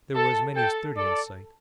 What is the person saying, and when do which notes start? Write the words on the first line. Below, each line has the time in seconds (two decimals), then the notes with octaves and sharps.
There were as many as thirty in sight.
0.16 A4 A5
0.56 A4 G5
0.97 A4 D5